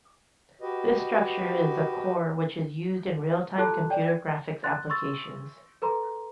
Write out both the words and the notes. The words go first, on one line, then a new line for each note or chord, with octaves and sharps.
This structure is the core which is used in real-time computer graphics applications.
F#4 G4 B4 D#5
F4 G4 A4 A5 F#6
D5 G5
G#6
C6 F#6 A6
C6 C#6 E6 A6
A4 B4 A#5 C6